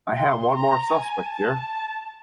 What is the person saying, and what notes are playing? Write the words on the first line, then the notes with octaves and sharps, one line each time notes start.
I have one more suspect here.
C6
A#5
G#5
A5
A5